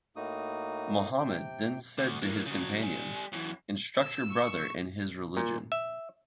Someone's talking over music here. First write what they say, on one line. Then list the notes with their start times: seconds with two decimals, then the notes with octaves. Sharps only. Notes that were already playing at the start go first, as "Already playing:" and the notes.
Muhammad then said to his companions, Instruct your brother in his religion.
0.16 A2 A#3 D#4 F#4 D#6
1.19 C3 G5
1.98 D2
2.22 E3 A#3
2.46 C#3 F#3
2.81 G3 G#5
3.32 F#2 E3
4.00 E6
4.32 C#6
5.37 A#2
5.72 E5